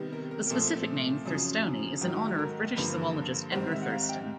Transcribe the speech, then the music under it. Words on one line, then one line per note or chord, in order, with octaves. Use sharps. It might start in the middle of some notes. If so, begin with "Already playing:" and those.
The specific name, "thurstoni", is in honor of British zoologist Edgar Thurston.
Already playing: C3 D#3 G3 B3
A#4
A#4
A#4
A#2 F3 A3 C4 A4
F#2 C#3 F3
G#2 D#3 F#3
A4
A#4
G2 D3 F3 A#3 B4
G#2 D#3 G3 C4 C5
E5
F#5
F5
G5